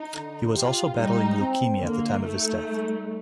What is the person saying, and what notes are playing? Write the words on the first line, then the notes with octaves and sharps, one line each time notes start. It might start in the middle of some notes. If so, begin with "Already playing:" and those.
He was also battling leukemia at the time of his death.
Already playing: D#4
D3
F4 G4
G3 D#4
C4
D3 A#3
A3 D#4
G3